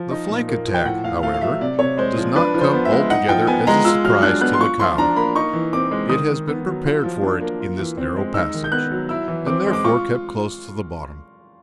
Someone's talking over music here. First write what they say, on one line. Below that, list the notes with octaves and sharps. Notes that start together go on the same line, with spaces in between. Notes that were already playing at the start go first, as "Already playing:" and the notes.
The flank attack, however, does not come altogether as a surprise to the "cow"; it has been prepared for it in this narrow passage, and therefore kept close to the bottom.
Already playing: F3
D#4
A#2
A#3
F3
G5
A2 F#5
A2 F5
A3 F5
F5
F#3 E5
C3 D5
C3 C#5
G#3 C5
F3
D4 B4
F3
C5
B3
E5
G#3
D#4 F#5
F3 G5
B3 G#5
G#3 A#5
F4 E6
F#3 F6
D4 F#6
B3 F#6
C6
F4 C#6
F3 C6
D4 A#5
A#3 B5
D#4 C#6
E3
C4 D6
G#3
D#3 D#6
D#3
B3
F#3
F4
F3
D4
A#3
F4
E3
C4
G#3
D#4 E6
D#3
G6
B3 F#6
F#3
E4 E6
E3
C4 D6
G#3
D6
F4 C#6